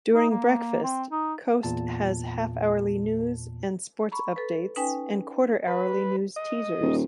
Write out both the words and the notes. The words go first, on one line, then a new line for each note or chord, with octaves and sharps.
During breakfast Coast has half-hourly news and sports updates and quarter-hourly news teasers.
D#4
A#3
C4
D#4
E2 A#2 A5
A#5 B5 C#6
A4 B4
C#4 D#4 B4 G5 G#5
B4
D#5
D#1